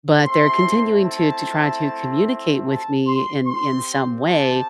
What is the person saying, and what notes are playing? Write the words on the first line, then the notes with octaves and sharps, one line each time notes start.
but they're continuing to to try to communicate with me in in some way
A3 C4 E4 C6
A5
A5
C6
C4 G4 C6
A5